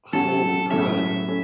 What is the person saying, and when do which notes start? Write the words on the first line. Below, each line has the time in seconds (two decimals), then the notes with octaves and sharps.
"Holy crud,
0.13 F#3 C#4 F#4 A4
0.70 A2 F#3 A3 C#4 E5
1.28 A3 C#4